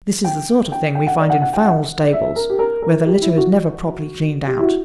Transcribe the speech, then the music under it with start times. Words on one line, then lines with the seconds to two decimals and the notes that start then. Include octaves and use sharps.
This is the sort of thing we find in foul stables, where the litter is never properly cleaned out.
0.24 G5
0.72 G5
0.95 G5
1.07 F#5
1.19 D5
1.30 F#5
1.42 F#5
1.53 G5
1.65 F#5
2.04 D5
2.13 E5
2.36 A#4
2.50 G4
2.59 A#4
2.82 A#4
3.06 G4
3.22 E4
3.38 F#4
4.47 G4
4.59 E4
4.63 F#4